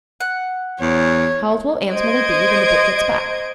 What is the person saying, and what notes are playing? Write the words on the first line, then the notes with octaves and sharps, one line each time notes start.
How old will Ann's mother be when the book gets back?
F#5
E2 C#5
C5 D#5 G#6 D7